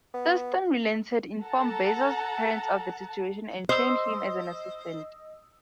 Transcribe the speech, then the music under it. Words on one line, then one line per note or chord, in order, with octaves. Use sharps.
Thurston relented, informed Besser's parents of the situation, and trained him as an assistant.
B3
A4 F#5 A5 A#5
C5 D#5 D#6 E6